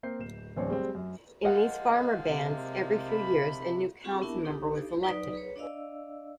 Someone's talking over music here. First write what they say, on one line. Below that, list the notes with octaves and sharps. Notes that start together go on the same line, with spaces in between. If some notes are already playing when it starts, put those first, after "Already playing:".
In these farmer bands, every few years a new council member was elected.
A#3 C4 G6 C7
D1 E7
D1 E2 C4 D4 C#5
G3 G#3 C4
F#2
F3 G#3 A#3 D#5 F#5
C3
B5
C4 F4 G4 G#4 F#5 C#6
B3 D4 E4 A#4 E5 A5
D4 D#4 G4 A4
F#3 D#4 B4 D5 D#6
G#4 B4 C#5
D4 D5 D#5 F5 E6